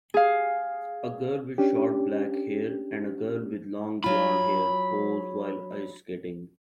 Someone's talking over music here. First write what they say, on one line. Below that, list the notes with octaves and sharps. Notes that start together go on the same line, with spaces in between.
A girl with short black hair and a girl with long blondhair pose while ice skating.
G#4 F5
C#4 D4 G4
F#3 F4 B5